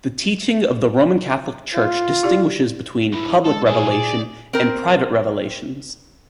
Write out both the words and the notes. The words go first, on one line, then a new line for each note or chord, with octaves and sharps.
The teaching of the Roman Catholic Church distinguishes between "public Revelation" and "private revelations".
F4
E4 G4 D5
E2 G2 E4
G#3 A4
A#2 F3 E4 G#4
D5
C4 A#4